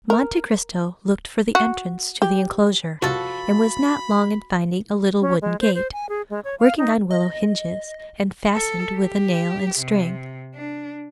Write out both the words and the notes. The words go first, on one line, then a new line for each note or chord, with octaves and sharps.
Monte Cristo looked for the entrance to the enclosure, and was not long in finding a little wooden gate, working on willow hinges, and fastened with a nail and string.
A#4
F#4
G4
C2 F#2 C3 F3 F#4 A4 B5
C#4
G#3
C5
C5
G#5
G#4
G#3
C#5
F5
D#4
D#5
A4
G4
C3
D4